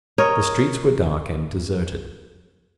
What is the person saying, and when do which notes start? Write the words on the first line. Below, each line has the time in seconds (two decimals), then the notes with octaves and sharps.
The streets were dark and deserted.
0.18 A#4 C#5 D#5